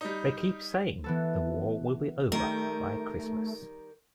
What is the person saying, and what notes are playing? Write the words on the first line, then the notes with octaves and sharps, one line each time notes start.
They keep saying the war will be over by Christmas.
G3 D#4
E3 B3 A4
D#3 G3 A3 A#4